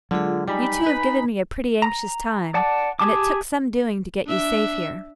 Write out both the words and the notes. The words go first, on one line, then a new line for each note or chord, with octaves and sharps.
You two have given me a pretty anxious time, and it took some doing to get you safe here.
D3 F#3 G#3 F4 G#4
G3 D#4 G#5 B5
B4
A#5
D5 F#5 A5
G4 G#4 A5 D6
D4 E5